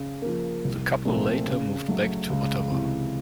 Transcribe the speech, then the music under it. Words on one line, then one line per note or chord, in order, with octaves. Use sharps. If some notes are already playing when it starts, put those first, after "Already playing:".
The couple later moved back to Ottawa.
Already playing: C#3
F3 A#3
C2
A#2 F3 A3 C4
C#3
F#3 A3
C#2
C3 E3